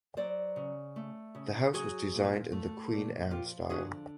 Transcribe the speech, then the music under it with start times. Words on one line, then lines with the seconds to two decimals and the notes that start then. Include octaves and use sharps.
The house was designed in the Queen Anne style.
0.17 F#3 C5 D5
0.56 C#3
0.96 A3
1.35 C#3
1.74 F#3 F#4 G#4
2.14 A#2
2.52 A3
2.92 A#2
3.31 F3 F4 G4
3.70 D3 F#4 G#4